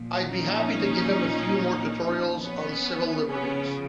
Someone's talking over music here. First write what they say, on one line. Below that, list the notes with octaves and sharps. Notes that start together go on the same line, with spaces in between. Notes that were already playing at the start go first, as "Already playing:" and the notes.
I'd be happy to give him a few more tutorials on civil liberties.
Already playing: A#2 F3
C#4 D#4
B3 C#4
C#3 F3 B3 C#4